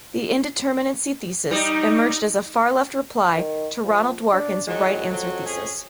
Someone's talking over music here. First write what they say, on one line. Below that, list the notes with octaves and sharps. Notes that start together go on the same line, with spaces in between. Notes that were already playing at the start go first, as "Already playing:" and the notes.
The "indeterminacy thesis" emerged as a far-left reply to Ronald Dworkin's "right answer" thesis.
G3 D#4
D#3
F3
D4
A2 D#3 F#3 G#3
F2 F#3
C#4 G#4